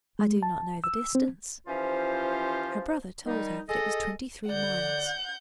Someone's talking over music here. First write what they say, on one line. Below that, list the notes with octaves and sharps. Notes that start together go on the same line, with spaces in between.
"I do not know the distance." Her brother told her that it was twenty-three miles.
G#3
A5
E6
C4
E3 F3 C#4 F4 G4 C5
D#3 G3 D#4
G#4 A4 D#5
D3 D5 F#5 G6